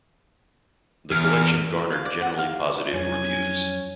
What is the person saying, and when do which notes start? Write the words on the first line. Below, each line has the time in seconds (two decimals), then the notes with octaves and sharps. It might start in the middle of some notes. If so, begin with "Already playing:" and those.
The collection garnered generally positive reviews.
1.12 E2 F6
1.92 F5
2.05 D5
2.21 F#5
2.38 F5
2.93 F2 F#3 C#4 G#5